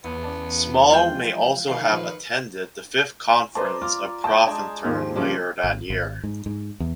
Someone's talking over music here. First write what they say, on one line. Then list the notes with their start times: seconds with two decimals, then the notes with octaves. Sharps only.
Small may also have attended the fifth conference of Profintern later that year.
0.04 E2 B3
0.24 C#4 D5 A5
0.90 E3 F3 G#3 F4 G5
1.67 D#3 F5 C7 C#7
1.92 A#2 F3 B4 F6
3.55 B4 C5 D5 A5 A#5
3.82 F4 D6
4.24 D#5 G5 A5
4.47 G#3 D4 G#5
4.84 D#2 G#2 D#3 F3
5.16 C#3 F3 G3
5.64 G#1
5.90 G#1
6.24 G#2
6.46 G#2
6.80 E2